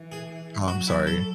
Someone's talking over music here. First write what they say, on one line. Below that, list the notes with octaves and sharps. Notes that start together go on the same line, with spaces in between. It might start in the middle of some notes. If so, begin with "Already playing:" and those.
Oh, I'm sorry.
Already playing: E3
G#4
F#3 F#4
E4
A4